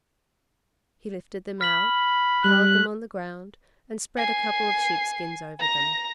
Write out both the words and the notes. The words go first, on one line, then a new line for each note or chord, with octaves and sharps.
He lifted them out, piled them on the ground and spread a couple of sheepskins over them.
B5 F6 B6 F#7
G3 F#6 F#7
G#5 C7
A#5 A#6